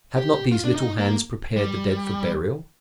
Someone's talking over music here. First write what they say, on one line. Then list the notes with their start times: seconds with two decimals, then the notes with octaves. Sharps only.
Have not these little hands prepared the dead for burial?
0.17 G4
0.52 F4
0.65 D4
0.75 D#4
0.99 A#3
1.57 G3